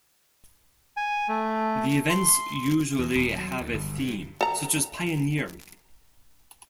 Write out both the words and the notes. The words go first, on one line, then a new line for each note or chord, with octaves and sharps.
The events usually have a theme, such as pioneering.
G#5
A3
C6
E2
D#1
F#3
D2
G1
G2
A4 A#5